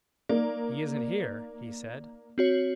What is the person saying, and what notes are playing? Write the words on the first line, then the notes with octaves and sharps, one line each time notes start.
"He isn't here," he said.
A#3 D#4 D5
C4 F#4 C#5